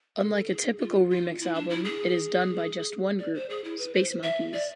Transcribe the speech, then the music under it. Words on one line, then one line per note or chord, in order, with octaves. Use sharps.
Unlike a typical remix album, it is done by just one group, Spacemonkeyz.
A4
G#4
F4
F4
E4
D4
E4
G#4
D5
C5
G#4
E4
B4
C5
E5
D5